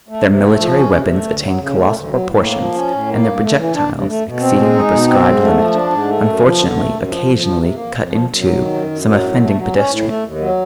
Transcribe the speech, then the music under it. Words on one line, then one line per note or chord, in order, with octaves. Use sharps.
Their military weapons attained colossal proportions, and their projectiles, exceeding the prescribed limits, unfortunately occasionally cut in two some unoffending pedestrians.
A3
C3
A3
F3
C#4
C3
A3
D2
F#3
C#3
A3
D2
F#3
A2
A#3
F3
C#4
A2
A#3
G2
A3
E3
D4
G2
A3
B2
C4
G#3
D#4
B2
C4
G#2
A3
F3
D4
G#2
A3
F#2
F3
D3
A3
F#2
F3
F2
F3
C3
A#3
F2
F3
F#2
F#3
D#3
F#2
F#2
F#3
A2
A3
F#3
C#4
A2
A3
D#2
F#3